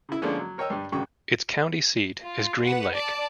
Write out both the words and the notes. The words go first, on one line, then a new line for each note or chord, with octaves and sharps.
Its county seat is Green Lake.
C#3 E4
D3 F3 G#3 A#3 C#4 D4
F#3
A#4 C#5 D#5 G5 E6
G2 G3
A1 G2 C#3 F#4 G5 C#6
F4
B4 F#5
D5 A5